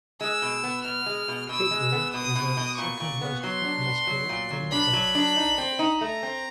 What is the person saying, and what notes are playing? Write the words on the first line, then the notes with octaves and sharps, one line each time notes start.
Football is the second most popular sport in the province.
G#3 E6
B2
B3
B2 F6
G#3
B2
B2 E6
G#3
B3
B2 D#6
B2
B2
A#2 C#6
A#2
B3
F#3 C6
D4
B3
F#3
A#2
F#3
D4 B5
F#3
D4
D#4
C4
D#4
A3 A#5
C4